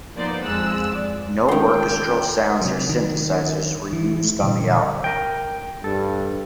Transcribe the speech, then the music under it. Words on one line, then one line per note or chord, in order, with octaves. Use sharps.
No orchestral sounds or synthesizers were used on the album.
F3 A#3 B3 D#4 C5 D5
F2 F3 G#3 E6 F#6
D5
C#2 D#3 G5 C6
C3 F#3
D#3
E3
A#2 D3 E3 G3
A#4 G5
G2 A4